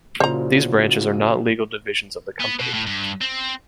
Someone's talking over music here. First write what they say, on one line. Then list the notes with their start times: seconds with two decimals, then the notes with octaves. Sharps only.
These branches are not legal divisions of the company.
0.20 A#2 C#3 F3 E4 F#4 C5 A#5
2.40 B3
2.59 B2
2.74 A2
2.87 G2
3.21 C4